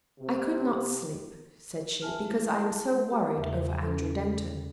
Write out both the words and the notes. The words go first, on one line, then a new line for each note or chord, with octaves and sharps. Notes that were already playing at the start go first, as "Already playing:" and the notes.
"I could not sleep," said she, "because I am so worried over Andrew Denton."
C3
G4 E5 G#5 A5 F6
G#3 E4
A5
F#4 G4 B4 F#5 G5
E2 C#3 E5
C#4 A4